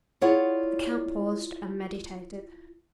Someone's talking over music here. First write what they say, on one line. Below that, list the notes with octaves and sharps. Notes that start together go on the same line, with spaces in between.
The count paused and meditated.
E4 F4 G#4 C#5 D5 F#5